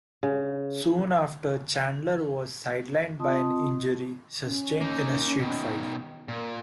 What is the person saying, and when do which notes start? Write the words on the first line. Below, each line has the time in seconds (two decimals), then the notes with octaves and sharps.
Soon after, Chandler was sidelined by an injury sustained in a street-fight.
0.23 C#3
3.19 C4 F4 D#5 A5 C6 D#6
4.43 C#4
4.81 A#3 D#4
5.39 B2 D#3
6.28 A#2 A#4